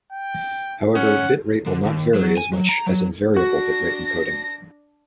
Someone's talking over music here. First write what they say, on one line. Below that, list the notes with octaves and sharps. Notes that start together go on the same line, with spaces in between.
However, bitrate will not vary as much as in variable bitrate encoding.
G5
C#4 F#5
D3
D#2
F#3
G#5
F#3
A#5
F#3
D4 F#4 A#6